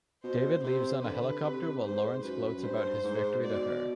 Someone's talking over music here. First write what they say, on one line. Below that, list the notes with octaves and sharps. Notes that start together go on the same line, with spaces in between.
David leaves on a helicopter while Lawrence gloats about his victory to her.
B2 C5
C3 C5
D3 B4
C3
G#2 C5
F#2 B4
F#2
G2 C5
G#2
B2 D5